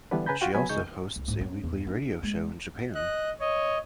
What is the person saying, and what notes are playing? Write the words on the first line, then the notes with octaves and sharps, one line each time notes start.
She also hosts a weekly radio show in Japan.
D3 E3 G3 B3 D4 B4
C#3 B4 G#5 A#5 B5 G6
F4 F#4 G5
F#3 B3 G#5 B5
C#2 D#4 G#4 C#6 G6
C#2
G#2
C#4
E2
D4
G#3
D#5 F#6
C#5 D#5